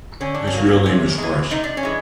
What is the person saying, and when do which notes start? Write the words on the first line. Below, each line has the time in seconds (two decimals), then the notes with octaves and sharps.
His real name is Horace.
0.20 D3 C#4
0.34 D4
0.47 F#3 C#4
0.57 A#3
0.86 C3 C#4
1.18 E3 G#3
1.51 C3 D#4
1.64 D4
1.77 C#4
1.83 E3 G#3